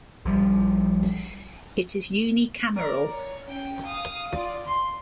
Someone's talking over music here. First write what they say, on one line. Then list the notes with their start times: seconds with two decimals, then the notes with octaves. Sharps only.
It is unicameral.
0.25 A#1 F3 G3
2.76 A#4 D5
3.11 C#5
3.45 C#4 G5
3.84 F5 D#6
4.32 F4 D5
4.66 C6